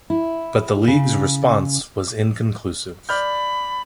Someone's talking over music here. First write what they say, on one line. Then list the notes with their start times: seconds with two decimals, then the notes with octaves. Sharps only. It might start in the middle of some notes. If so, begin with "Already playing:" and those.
But the league's response was inconclusive.
0.10 E4
0.88 C#3
3.09 D5 B5 F6 G6